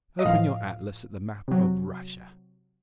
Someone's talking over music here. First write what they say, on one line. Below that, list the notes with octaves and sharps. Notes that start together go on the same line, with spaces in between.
Open your atlas at the map of Russia.
D#5
A2 F3 F5
C3 F#3